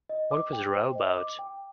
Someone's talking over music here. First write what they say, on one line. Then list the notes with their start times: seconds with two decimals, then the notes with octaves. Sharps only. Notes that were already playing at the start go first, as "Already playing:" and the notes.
What was the row about?
0.09 D#5
0.31 D6
0.53 G5
0.74 C5
0.95 D#5
1.17 D6
1.39 G5